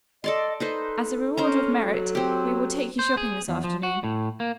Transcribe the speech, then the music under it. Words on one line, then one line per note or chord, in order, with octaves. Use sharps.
"As a reward of merit we will take you shopping this afternoon."
A4 D5 D#5 C6
D#4 A4 B4 C5
C#4 A#4 C5 A#5
F#3
C4 G4
C5
G#4
E2
F3
F#4
A2
A#3